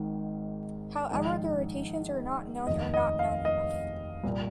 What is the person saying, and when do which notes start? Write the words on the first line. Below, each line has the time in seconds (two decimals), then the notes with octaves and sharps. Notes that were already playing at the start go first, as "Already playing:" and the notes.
However their rotations are not known or not known enough.
Already playing: G#1 G#2 D#3
1.11 A#1 G#2 D#3
2.67 F1 D#2 D#3 D#5
2.94 D#5
3.19 F5
3.45 D#5
4.24 C2 A#2